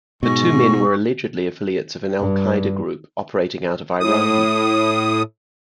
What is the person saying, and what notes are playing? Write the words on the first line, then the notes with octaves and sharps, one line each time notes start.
The two men were allegedly affiliates of an Al-Qaeda group operating out of Iran.
G#2 B2 C#6
G2
A2 D#6